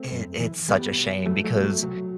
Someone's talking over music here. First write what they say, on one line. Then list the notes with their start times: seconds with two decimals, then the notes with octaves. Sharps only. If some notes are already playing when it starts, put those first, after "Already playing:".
It it’s such a shame because,
Already playing: A3 C4
0.12 F#2
0.40 E3
0.69 E2 G3 B3
0.98 B2
1.26 E2 F#3 A3
1.44 F#3 A3
1.54 B2
1.63 F#3 A3
1.83 C2 F#3